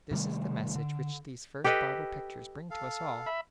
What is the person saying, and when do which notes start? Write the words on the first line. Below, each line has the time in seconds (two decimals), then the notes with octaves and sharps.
This is the message which these first Bible pictures bring to us all.
0.11 C3 D#3 G3 A3
0.76 D3
1.64 G4 A4 B4 D#5
2.70 A4 F5
3.26 E5 B5